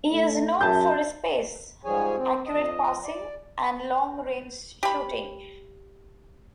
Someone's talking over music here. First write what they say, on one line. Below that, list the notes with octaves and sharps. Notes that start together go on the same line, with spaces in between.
He is known for his pace, accurate passing and long range shooting.
A3
F#2 E5 A5 G6
G#2 F3 G3 G#4 C#5 G#5
C4
F2 D#5
D5
G4 B5